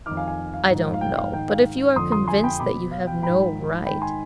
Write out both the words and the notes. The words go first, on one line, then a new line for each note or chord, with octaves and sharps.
"I don't know; but if you are convinced that you have no right..."
F2 D#3 D6 F6
F5 G#5
F5 G#5
F5
G#2 F3
F5
G5
F5
G#2 D#3 G5
F5
F2 D3 F3 C6 D#6
C6 D#6
G#5 C6
G5 B5
B2 B5 D6
F5
G5
G#2 F3 G5 B5
G#2 D#3 G5 B5
G#5 C6